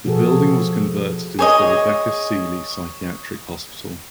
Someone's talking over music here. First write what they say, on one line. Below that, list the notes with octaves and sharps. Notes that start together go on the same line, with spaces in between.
The building was converted into the Rebecca Sealy Psychiatric Hospital.
B2 F3 F#4 G#4 A4
G#4 C#5 D#5